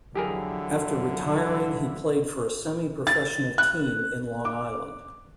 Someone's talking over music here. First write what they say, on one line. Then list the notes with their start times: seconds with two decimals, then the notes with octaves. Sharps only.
After retiring he played for a semi professional team in Long Island.
0.15 E2 D3 F3 F#3 E4 G4 G#4 A#4
3.07 A6
3.58 F#6
4.45 D6